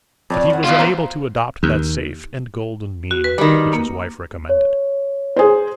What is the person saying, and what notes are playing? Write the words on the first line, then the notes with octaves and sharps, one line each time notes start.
But he was unable to adopt that safe and golden mean, which his wife recommended.
F2 D4 C#5 D5
F3 F#5
E2 F4
D#4 F#4 A4 C5 A#5
D#2
F#4
B4
D#3 G3
A#3
C#5
G#4 C5